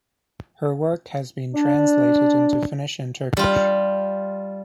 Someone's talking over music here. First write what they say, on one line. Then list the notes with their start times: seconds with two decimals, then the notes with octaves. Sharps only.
Her work has been translated into Finnish and Turkish.
1.55 D4
3.37 G3 F4